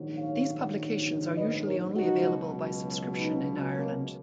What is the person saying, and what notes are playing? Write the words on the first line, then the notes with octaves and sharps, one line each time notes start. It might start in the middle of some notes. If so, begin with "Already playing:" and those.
These publications are usually only available by subscription in Ireland.
Already playing: A#1 G#2 D#3 F#3
C#5 F5
B4 D#5
A#4 C#5
C#2 B2 F#3 D#4 F#4
B3 D#4
A#3 C#4